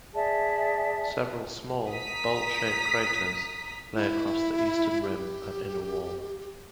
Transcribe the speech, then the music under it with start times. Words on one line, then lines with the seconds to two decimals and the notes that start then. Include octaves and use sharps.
Several small, bowl-shaped craters lay across the eastern rim and inner wall.
0.14 G#4 D5 E5 A5
1.89 A#5 D#6 B6
3.95 E4
5.02 G4